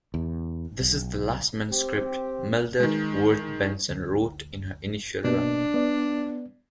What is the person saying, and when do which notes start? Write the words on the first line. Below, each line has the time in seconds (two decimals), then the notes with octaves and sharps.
This is the last manuscript Mildred Wirt Benson wrote in her initial run.
0.14 E2
0.80 B1
1.70 C4 G4 C5
2.80 D#3 G#3
3.89 D2
5.24 B2 A#3 D4
5.74 B3 D5